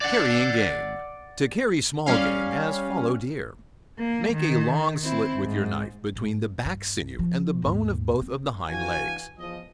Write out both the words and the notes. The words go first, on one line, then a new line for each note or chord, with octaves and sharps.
Carrying Game.--To carry small Game, as Fallow Deer.--Make a long slit with your knife between the back sinew and the bone of both of the hind-legs.
D5 F#5
G3 C#4 F5
A#3
D#3
C4 E4
G#2
G#2
G2
F3
D#2 G#2
C4
E3 D4 F#4 F5 G#5
E2 F3 D#5